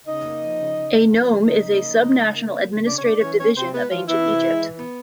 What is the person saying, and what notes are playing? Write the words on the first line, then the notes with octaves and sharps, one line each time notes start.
A nome is a subnational administrative division of Ancient Egypt.
C#3 D#4 D#5
A#3
F3
C#3
C#3
A#3
F3
C#3
C#3 D#4 D#5
A#3
F3
C#3
C#3
A#3
F3
C#3
C3 D4 D5
C#5
G#3 D4 D5
E3 C#4 C#5
B3 C#4 C#5
C3 C4 C5
G#3 B3 B4
E3 F3 F4
E3 B3 E4
C3
G#3
E3
B3